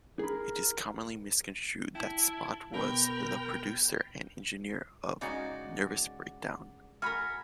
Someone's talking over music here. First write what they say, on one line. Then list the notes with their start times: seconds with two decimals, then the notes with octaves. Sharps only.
It is commonly misconstrued that Spot was the producer and engineer of "Nervous Breakdown".
0.19 G#4 A#4 B5
1.95 E4 G5 A5
2.74 B2 A#4 G5 B5
5.21 C#3 G#3 D#4 F#4 D5
7.02 F#4 A#4 G#5 B5 F6